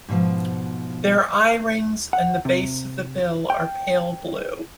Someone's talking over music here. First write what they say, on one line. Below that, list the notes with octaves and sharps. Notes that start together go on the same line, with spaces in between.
Their eye-rings and the base of the bill are pale blue.
G#2 B2 E3 F3
F#5
C3
G5